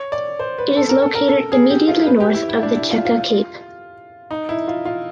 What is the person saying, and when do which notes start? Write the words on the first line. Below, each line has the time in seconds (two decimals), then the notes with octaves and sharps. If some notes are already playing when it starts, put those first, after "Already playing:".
It is located immediately north of the Chekka cape.
Already playing: C#5
0.12 D5
0.39 C5
0.58 B4
0.77 A4
0.89 A#4
1.02 A4
1.15 A#4
1.28 A4
1.52 G#4
1.70 G4
1.88 F4
2.06 B4
2.20 G4
2.35 E4
2.49 E4
2.63 D4
2.77 E4
2.91 F4
3.05 F4
4.31 D#4
4.49 E4
4.68 F4
4.85 F4